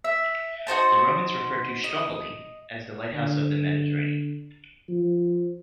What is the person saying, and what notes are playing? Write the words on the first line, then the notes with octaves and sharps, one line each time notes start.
The Romans referred to Stromboli as the Lighthouse of the Mediterranean.
E5
D#4 F#4 C5 A5
D#5
D3
F3